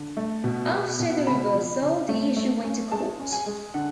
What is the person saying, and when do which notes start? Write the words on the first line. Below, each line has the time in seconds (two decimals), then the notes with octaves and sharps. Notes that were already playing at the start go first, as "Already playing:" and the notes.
After the reversal, the issue went to court.
Already playing: D3
0.17 A3
0.44 B2
0.71 B3
1.00 B2
1.27 C#3 B5
1.54 F3
1.82 C#3
2.09 A3
2.36 A3
2.64 C#4
2.92 G#3 A5
3.19 C#4
3.33 G#5
3.46 G#3
3.74 D3 F#5